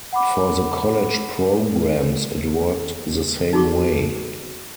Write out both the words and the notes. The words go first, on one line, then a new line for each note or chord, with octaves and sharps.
For the college programs, it worked the same way.
F#5 B5 D6
D#4 F#4 G#4 C#6 D6